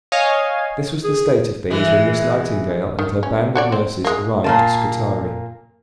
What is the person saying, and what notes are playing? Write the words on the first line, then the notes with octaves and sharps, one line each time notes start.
This was the state of things when Miss Nightingale and her band of nurses arrived at Scutari.
C#5 D#5 F5 G#5
G#4
E3 G#3
D#3
C#4
F#4 C#5 D5
C4
G#3 A#3
A#2 A#3 A5